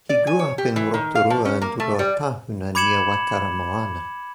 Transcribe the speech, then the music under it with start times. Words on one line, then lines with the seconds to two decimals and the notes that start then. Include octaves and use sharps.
He grew up in Rotorua and in Ruatahuna near Waikaremoana.
0.09 D5
0.27 G#5
0.39 C#5
0.58 G4
0.76 E3
0.94 D#3
1.15 F5
1.30 F3
1.45 C#4
1.62 A#3
1.80 A3
1.99 G3
2.75 B5 D6 G#6 C#7 E7 F#7